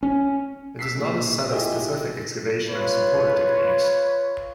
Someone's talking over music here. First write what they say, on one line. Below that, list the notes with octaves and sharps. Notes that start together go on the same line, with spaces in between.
It is not a set of specific excavation and support techniques.
C#4
E6 B6 C7
A#2 G#3
E4 F4 G4 G#4 D#5 E5
F4 B4 C#5